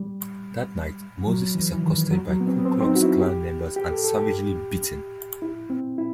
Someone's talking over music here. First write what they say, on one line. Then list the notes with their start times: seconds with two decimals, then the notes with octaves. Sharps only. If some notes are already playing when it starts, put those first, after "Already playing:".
That night Moses is accosted by Ku Klux Klan members and savagely beaten.
Already playing: G3
1.27 F#3
1.55 E3
1.73 E3
1.82 D#3
2.11 F#3
2.29 F#3
2.40 B3
2.47 C4
2.59 B3
2.65 C4
2.81 C4
2.84 D#4
2.96 F#4
3.03 E4
3.21 G4
3.76 G4
3.91 A4
4.04 A4
4.17 G4
5.42 E4
5.70 C4
5.98 E4